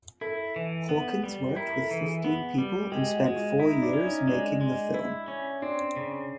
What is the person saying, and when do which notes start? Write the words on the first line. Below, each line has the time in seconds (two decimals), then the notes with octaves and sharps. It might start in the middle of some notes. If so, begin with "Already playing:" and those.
Hawkins worked with fifteen people and spent four years making the film.
0.21 E4 A4
0.56 E3
0.89 B3
1.24 G3
1.56 E4 A#4
1.72 A#4
1.80 A4
1.91 E3
2.03 G#4
2.24 B3
2.58 G3
2.92 G#3 G4
3.15 F#4
3.26 G#3
3.36 F4
3.59 D#4 E4
3.82 D4
3.93 C#4
4.04 D#4
4.22 D#4
4.27 G#3 D4
4.61 G#3
4.94 E4
5.28 C#4
5.62 C4 D4
5.96 C#3